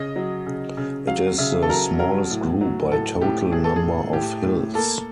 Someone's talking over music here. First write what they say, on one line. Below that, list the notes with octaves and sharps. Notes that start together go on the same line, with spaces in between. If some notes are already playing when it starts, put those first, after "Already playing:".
It is the smallest group by total number of hills.
Already playing: C#3 D#5
F#3
C#3
C#3
F#3 F5
C#3 E5
A4
F#3 A#4
F#3 A#4
A2
F#3
A2 A4
A2 G4
A2 G#4
A4
G#4
A2
A2 G4
A2
A#3 A4